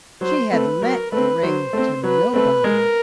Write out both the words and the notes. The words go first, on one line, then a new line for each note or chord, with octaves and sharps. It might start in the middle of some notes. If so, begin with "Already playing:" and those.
She had lent the ring to nobody.
F#3 C5
A3 C4 B4
F#3 A#4
A3 C4 B4
F#3 C5
A3 C4
F#3 B4
A3 C4 B4
G#3 A#4